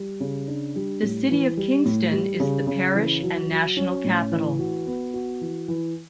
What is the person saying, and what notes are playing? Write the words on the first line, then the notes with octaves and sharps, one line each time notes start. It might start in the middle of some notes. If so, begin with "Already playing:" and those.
The city of Kingston is the parish and national capital.
Already playing: G3
C#3
D4
G3
A2
E3
G3
A2
G3
C#3
C#3
E3
F#3
F#3
C#4
A2
E3
F#4
B3
F#4
E3
E3